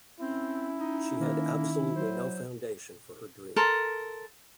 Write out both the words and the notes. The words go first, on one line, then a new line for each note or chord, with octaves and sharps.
She had absolutely no foundation for her dream.
C4 C#4 E4
D#4
D#3 A#3
F#3 C5
A4 A#4 C6